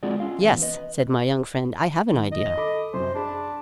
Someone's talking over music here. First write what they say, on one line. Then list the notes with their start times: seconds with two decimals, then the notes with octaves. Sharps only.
"Yes," said my young friend; "I have an idea."
0.03 G#3 C4 F4 F#4 G#4 D5
0.20 C#4 F4 F5
0.43 E2 B3
0.62 B4 D#5
2.11 D#3
2.32 D#5
2.57 A4 B5 D6
2.94 F#2 C3 C5
3.15 D4 G#4 B5